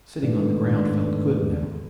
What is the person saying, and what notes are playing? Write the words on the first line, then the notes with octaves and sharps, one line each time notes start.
Sitting on the ground felt good now.
G#2 D#3 A3 B3 D4